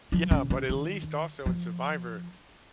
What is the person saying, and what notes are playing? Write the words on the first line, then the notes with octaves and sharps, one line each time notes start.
Yeah, but at least also in survivor,
F3
C#3
C#3
D#3
F3